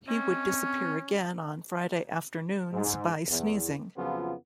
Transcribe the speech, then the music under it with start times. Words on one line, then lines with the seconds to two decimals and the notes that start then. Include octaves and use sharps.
He would disappear again on Friday afternoons by sneezing.
0.08 C4 C#4 D#5
2.72 G#2
3.28 E2
3.96 F2 C#3 F3 F#3 B3 F4